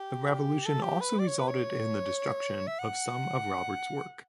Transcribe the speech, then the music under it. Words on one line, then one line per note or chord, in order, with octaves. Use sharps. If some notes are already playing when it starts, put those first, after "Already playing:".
The Revolution also resulted in the destruction of some of Robert's work.
Already playing: G4
A4
G4
B4
D5
C#5
B4
C#5
E5
F#5